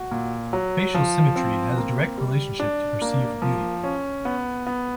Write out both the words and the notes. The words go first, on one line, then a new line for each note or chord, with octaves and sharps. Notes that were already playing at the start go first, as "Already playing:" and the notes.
Facial symmetry has a direct relationship to perceived beauty.
Already playing: F#4
A#2
F#3
F3
C4
A#3
G3
D4
A#3
F3
C#4
B3
B3